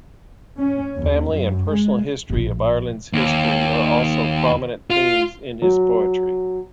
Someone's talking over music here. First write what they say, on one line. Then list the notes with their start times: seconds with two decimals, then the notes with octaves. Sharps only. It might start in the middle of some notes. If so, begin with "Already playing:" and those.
Family and personal history and Ireland's history are also prominent themes in his poetry.
0.59 C#4
0.95 D#2
1.32 F#2
1.69 G#3
2.30 A#1 A2
3.13 D#2
4.90 F4
5.62 F#3